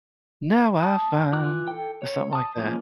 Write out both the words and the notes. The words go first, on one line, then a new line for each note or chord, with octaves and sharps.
now I find, or something like that.
A5 D#6
E3 F4 D6 F#6
A4 G5
C#5
A5 D#6
F3 G#3 A#3 C#4